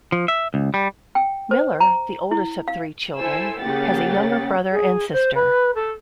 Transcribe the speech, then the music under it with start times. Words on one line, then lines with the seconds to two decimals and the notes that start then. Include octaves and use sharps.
Miller, the oldest of three children, has a younger brother and sister.
0.12 F3
0.28 E5
0.54 C#2
0.74 G3
1.15 G5
1.51 C5
1.80 A#5
2.31 E4
2.68 F5
3.17 E4 A4 C5 G#5 E6
3.63 C#3 A#3 G4 F#5 A6
4.72 G#4
5.12 C5
5.35 B4
5.75 A4